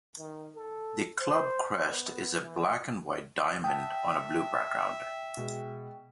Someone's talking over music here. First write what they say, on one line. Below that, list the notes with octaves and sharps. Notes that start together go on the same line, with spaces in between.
The club crest is a black and white diamond on a blue background.
D#3
A4
C5
B3
E3
E5 F#5 G5 A5 D#6
B2 G#3